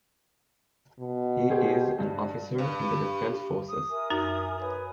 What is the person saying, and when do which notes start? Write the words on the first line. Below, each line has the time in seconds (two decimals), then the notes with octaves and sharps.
He is an officer in the Defence Forces.
1.00 B2
1.50 G4 G#4 C5
1.98 G2
2.58 G2
3.68 D#6
3.90 A#4 E5 G#5
4.10 F#2 D#4 F#4
4.60 B4 C#5 G#5